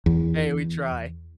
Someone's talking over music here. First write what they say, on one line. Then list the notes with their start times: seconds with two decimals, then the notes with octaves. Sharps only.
hey, we try.
0.06 E2